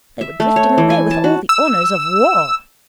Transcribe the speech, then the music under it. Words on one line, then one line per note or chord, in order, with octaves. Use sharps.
They were drifting away with all the honours of war.
E5
A3
C#5
E3
G#5
A5
F#4
E6